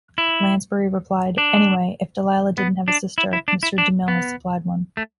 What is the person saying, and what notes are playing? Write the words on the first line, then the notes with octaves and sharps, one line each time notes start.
Lansbury replied, Anyway, if Delilah didn't have a sister, Mr. DeMille has supplied one.
E4
D4
B3
D4
E4
E4
D4
E4
D4
B3
A3